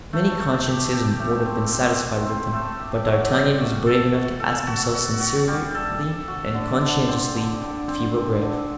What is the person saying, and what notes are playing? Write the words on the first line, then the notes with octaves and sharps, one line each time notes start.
Many consciences would have been satisfied with them, but D'Artagnan was brave enough to ask himself sincerely and conscientiously if he were brave.
A3
A3
G4
G4
A3
C4
C4
A3
C4
A3
G4
F#3
G3
F#4
A4
F#4
A4
F#4
F#4
F#4
G3
A4
A4
F#4
D3
D3
C4
D3
D3
C4
D3
D3